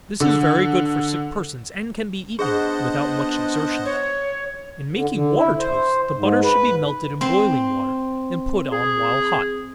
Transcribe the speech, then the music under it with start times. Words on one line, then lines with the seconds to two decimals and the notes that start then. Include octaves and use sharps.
This is very good for sick persons, and can be eaten without much exertion. In making water-toast, the butter should be melted in boiling water, and put on while hot.
0.20 D3
2.39 B3 D4 G#4 C5 D#5 F#5
3.85 C#5
4.93 D3
5.13 D3
5.36 E4
5.58 C5
6.15 G#2
6.43 B4
7.21 C4 C5
8.72 G#4